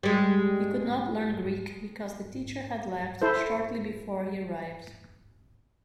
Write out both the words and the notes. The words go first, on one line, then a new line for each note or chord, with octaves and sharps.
He could not learn Greek, because the teacher had left, shortly before he arrived.
G3 G#3
E4 A4 C5